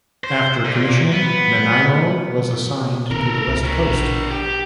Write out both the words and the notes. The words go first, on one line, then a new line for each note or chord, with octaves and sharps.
After commissioning, "Nanaimo" was assigned to the west coast.
C5
A#2
B3
C3 D#3 A4 A#4
C#2
D4 A#4
A#1
G4